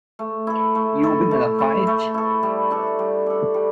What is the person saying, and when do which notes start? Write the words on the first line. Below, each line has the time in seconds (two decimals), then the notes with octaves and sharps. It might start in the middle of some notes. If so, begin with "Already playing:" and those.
You been in a fight?
0.19 A3
0.47 E4 A4
0.75 A3
1.03 E4 A4
1.31 A3
1.59 E4 A4
1.87 A3
2.14 E4 A4
2.43 G3
2.70 D4 A4
2.99 G3
3.26 D4 A4
3.54 G3